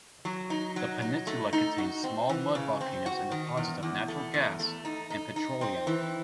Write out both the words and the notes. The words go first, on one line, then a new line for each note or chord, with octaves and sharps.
The peninsula contains small mud volcanoes and deposits of natural gas and petroleum.
F#3
D#4
F#3
D#4
A3
D#4
F#4
C4
E3
C#3
C4
F#4
D#3
E2
E2
A3
E2
A3
D#4
D#4
D#4
C4
E3